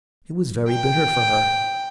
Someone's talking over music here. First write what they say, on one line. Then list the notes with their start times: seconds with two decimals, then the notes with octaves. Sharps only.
It was very bitter for her.
0.69 G5